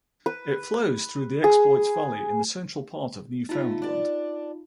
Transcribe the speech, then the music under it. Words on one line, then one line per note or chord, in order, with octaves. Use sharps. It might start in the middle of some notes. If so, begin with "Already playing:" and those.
It flows through the Exploits Valley in the central part of Newfoundland.
B4
G#4
A3 D#4 F4 F5 A#5
D4 D5